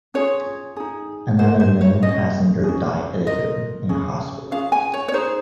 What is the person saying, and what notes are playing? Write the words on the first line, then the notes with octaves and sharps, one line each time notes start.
Another male passenger died later in hospital.
C#4 F4 G#4 C#5
D#4 G#4
F4 A#4 C5
C5
C#5
C#4 F4 G#4 D#5
C#4 G#4
F4 A#4 D#5
C#4 G#4
C#4 F4 G#4 F5
G#5
C#5
C#5
D#4 G#4 C5